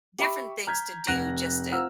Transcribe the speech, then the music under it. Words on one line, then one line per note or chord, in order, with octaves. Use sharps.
different things to do just to
G4 E5 B5 C#6
A#5 F6 G6 G#6 B6
F1 F#5 F#6 A#6
F4 C5 F#5 A#5 E6 F6